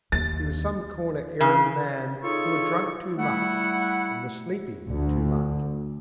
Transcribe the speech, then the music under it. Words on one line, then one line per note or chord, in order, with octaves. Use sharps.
He was some corner errand-man who had drunk too much and was sleeping too much.
D#2 A6
C#3
D#4 F4 G#4 A4 C#5 C#6
G3 A3 E4 E5 F#5
D2